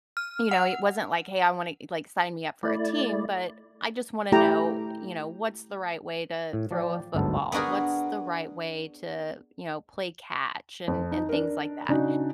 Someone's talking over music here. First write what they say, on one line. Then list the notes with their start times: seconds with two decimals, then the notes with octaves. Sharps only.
you know, it wasn't like, "Hey, I wanna e" like, "Sign me up for a team," but "I just wanna know," you know, "what's the right way to throw a football? What's the right way to, you know, play catch" and and things like that?
0.17 F6
0.51 F#5
2.63 A3 E4 D5
4.32 A3 E4 G4 G5 A#5
6.53 A2
6.71 F3 D5 G5
7.14 G1 D2 G#2 F#3 B3 A4
7.52 B3 D4 F#4 G#4 A#4
10.88 F2
11.12 D#4
11.29 D4 A#4
11.89 C#3 D4 D#4 F#4